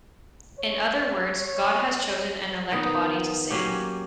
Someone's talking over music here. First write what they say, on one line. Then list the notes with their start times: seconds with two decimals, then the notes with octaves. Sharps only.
In other words, God has chosen an elect body to save.
0.58 C#5
1.26 C#5
2.72 D#3 B3 D#4
3.50 F#3 A#3 C#4 G4